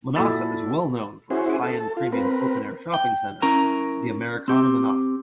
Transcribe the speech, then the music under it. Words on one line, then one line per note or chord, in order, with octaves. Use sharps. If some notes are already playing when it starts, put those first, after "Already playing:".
Manhasset is well known for its high-end premium open-air shopping center, the Americana Manhasset.
A#2 E4 F#4 A4 B5 A6
C#4 E4 F#4 G#4 C5
A4
F4
C4 A#4 B4
G5
C#4 E4 A#4 A#5
C4 G4